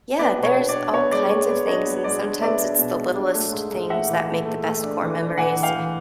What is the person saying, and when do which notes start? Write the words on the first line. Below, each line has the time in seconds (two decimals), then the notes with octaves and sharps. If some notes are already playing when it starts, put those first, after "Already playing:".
Yeah, there's all kinds of things, and sometimes, it's the littlest things that make the best core memories,
0.19 B3 D5
0.38 B2
0.43 C#5
0.56 D4
0.69 D5
0.75 D4
0.93 B3 C#5
1.12 G#3 D5
1.30 G#3 C#5
1.48 B3 D5
1.67 D4 C#5 D#5
1.86 B3
2.04 G#3 D5
2.23 D4
2.41 B3 D5 E5
2.60 D4
2.78 B2
2.97 G#3
3.15 D4
3.34 A3
3.52 G#2
3.71 G#2
3.90 A3 E5 F#5
4.08 E3
4.27 A3
4.45 A3
4.64 A3
4.83 D4
5.01 E3
5.19 D4
5.38 E3 F#5 G#5
5.56 E3
5.63 F5 G5
5.75 E3